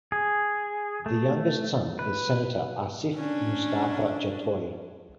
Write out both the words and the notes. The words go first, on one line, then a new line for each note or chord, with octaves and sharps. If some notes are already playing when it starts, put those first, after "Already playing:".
The Youngest son is Senator Asif Mustafa Jatoi.
G#4
A3
B4
C#4 D4